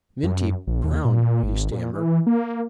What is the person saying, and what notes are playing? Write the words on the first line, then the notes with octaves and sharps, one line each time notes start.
"Minty Brown!" he stammered.
F#2
A#1
D#2
A#2
G#1
A#2
E3
A#3